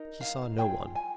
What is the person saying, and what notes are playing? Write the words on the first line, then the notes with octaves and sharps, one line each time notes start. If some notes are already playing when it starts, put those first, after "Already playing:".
He saw no one.
Already playing: D#4 A#4
F5
F4 G#4 G5
G#5